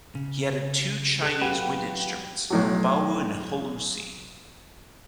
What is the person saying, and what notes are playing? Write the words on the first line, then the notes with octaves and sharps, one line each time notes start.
He added two chinese wind instruments : Bawu and Hulusi.
C#3
A4 F#6
F#3 F4 G4 B4 F#5 G5
B1 A2 F#3